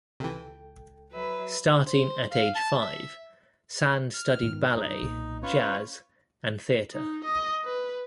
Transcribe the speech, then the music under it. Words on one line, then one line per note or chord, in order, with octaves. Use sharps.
Starting at age five, Sand studied ballet, jazz and theatre.
C#2 C3 E3 A4 G5
F#3 B4 E5
C5
F5
A5
E5
F6
G#2 B2 D#3
G2 D#4
B1 A#2
C#4 F4 B4 C#5
D#4
D#5
B4